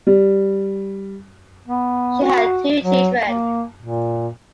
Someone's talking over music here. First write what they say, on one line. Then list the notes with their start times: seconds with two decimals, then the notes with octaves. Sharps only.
She had two children.
0.07 G3
1.68 B3
2.22 F#4
2.82 F#3
3.26 A#3
3.81 A#2